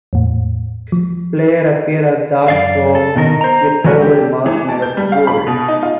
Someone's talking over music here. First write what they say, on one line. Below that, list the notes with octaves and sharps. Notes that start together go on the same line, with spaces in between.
Players appear as dark forms with oval masks made of gold.
E2 A2
F3
F#2 D5 F5
A4
B2 D#3 A#4 D#5
C5 A#5
E3 G#3 F#4 A#4 B4
D3 G4
E3
A5
G6
G3
F5
B5
B2
D#4
F4